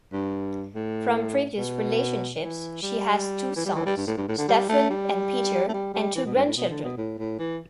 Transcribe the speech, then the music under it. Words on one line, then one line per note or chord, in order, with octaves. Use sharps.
From previous relationships, she has two sons, Stephen and Peter, and two grandchildren.
G2
A2
B2
E3
G3
E3
G3
E3
G3
G2
A2
G2
A2
D3
G3
A3
G3
A3
G3
G3
E3
B2
G2
A2
B2
D3
B2
A2
A2
E3